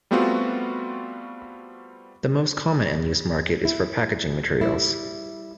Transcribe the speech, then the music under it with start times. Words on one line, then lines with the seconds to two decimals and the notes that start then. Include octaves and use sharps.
The most common end use market is for packaging materials.
0.11 G3 A3 B3 C4 F4 F#4
3.65 E4
4.61 G3 E4